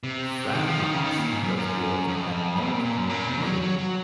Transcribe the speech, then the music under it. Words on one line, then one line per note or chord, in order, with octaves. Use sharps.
"Frank Knox" was built at Bath, Maine.
C3
D#3
F3
D#3
C#3
D#3
A#2
G#2
F#2
F#2
F2
C3
A#2
A#2
F#2
A#2
C3
F#3
F#3
F#3